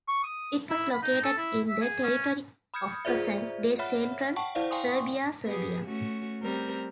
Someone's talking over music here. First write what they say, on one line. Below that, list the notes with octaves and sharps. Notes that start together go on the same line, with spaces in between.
It was located in the territory of present-day Central Serbia, Serbia.
C#6
D#6
E4
B5
D#4
A4
E4
E5
G#4
C#4
B5 D#6 F6 G6 G#6 C#7
F4 G#4 C5 D5 E5
C#5 E5 F#5 B5 F6
F#5 G5 A5 C#6
E4 C5 D5 F5 F#5
F5 G5 G#5 C6 C#6 D#6
B3 G4 G#4
A3 C#4 F#4
G3 C4 A#4